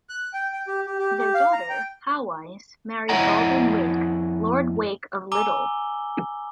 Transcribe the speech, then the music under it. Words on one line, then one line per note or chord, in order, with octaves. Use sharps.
Their daughter, Hawise, married Baldwin Wake, Lord Wake of Liddell.
F#6
G5
G5
G4
G4
G4
G4
F5
A#5
G5
F2 E4 C#5 D#5 F#5 A#5
G#5 A#5 D6 E6 G7